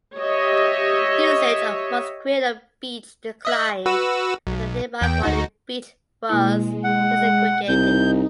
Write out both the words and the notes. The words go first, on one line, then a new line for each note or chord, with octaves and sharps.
Usage of Mosquito Beach declined after nearby Folly Beach was desegregated.
G4 C#5 D#5 E5
D#5 E5 F#6
F#4 B4 E6
B1
E2 G5
D2 D#4 F#4
B2 G#3 A#3 E4
F#5
C2 D#4 G6